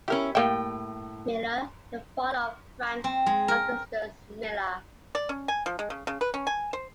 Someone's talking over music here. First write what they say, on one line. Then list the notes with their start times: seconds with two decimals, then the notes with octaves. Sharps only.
Miller, the father of Frank Augustus Miller.
0.08 C#4 E4 G4 A#4
0.35 A2 G3 A#3 E5 G5
3.04 C4
3.26 G#3
3.48 A#4
5.15 D5
5.29 C#4
5.48 G#5
5.66 F3
5.79 G#3
5.90 C#3
6.07 C#3
6.21 B4
6.34 C#4
6.47 G#5
6.73 C5